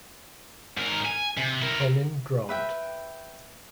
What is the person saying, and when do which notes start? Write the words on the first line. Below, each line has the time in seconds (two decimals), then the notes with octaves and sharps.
Colin Grant.
0.78 G#2 A#4
1.06 G#5
1.37 C3
1.62 E4 A#4
2.49 B4 E5 G5